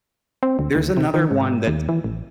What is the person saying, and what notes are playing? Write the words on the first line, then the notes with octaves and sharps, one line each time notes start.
There's another one that's
C4
D2
D2
C3
D#3
G#2
D#2
E3
A1